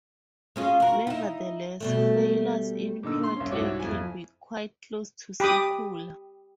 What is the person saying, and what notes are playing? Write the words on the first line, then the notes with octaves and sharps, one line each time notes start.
Nevertheless, failures in 'pure' clay can be quite close to circular.
G#3 C#4 F4
F#4 A#4
D#4 E4
B2 G3 A3
A#2 D3 D#4 E6
C6
C2 C#4
C2 G#2 E4 F#4 C#5 D6
F2 E4 G#5
G4 B5 D6 D#6